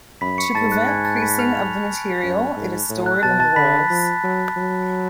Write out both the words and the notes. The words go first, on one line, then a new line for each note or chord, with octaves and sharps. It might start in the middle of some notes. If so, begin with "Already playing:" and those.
To prevent creasing of the material, it is stored in rolls.
F#2 B5 B6
C#6 C#7
G#2 A5 A6
F#6
G#5 G#6
A5 A6
B5 B6
F6 F7
F6 F7
F#2
G#2
A2
F#6
B2 A5 A6
A5 A6
D3 B5 B6
F3
F#3
F#3